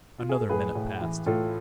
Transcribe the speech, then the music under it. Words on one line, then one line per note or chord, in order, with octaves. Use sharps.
Another minute passed.
F4
G#4
A4
A2 G#4 B4
A2
E3
A2 F4 A4